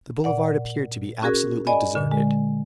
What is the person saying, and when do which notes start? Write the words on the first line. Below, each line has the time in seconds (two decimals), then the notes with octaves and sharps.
The boulevard appeared to be absolutely deserted.
0.24 A#2 D5 F#5
1.22 C#4 F#4 G#4 A#4
1.67 D5 D#5 G#5 B5
1.95 A#2 D3
2.11 G#3